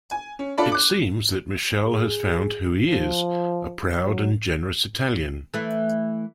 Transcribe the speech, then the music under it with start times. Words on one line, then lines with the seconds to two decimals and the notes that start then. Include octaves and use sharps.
It seems that Michele has found who he is, a proud and generous Italian.
0.11 G#5
0.39 C#4
0.58 D4 F4 A4 D5 A5 B5
0.72 D6 F#6
1.84 G#4
2.85 F3
4.02 F#3
5.54 E3 A3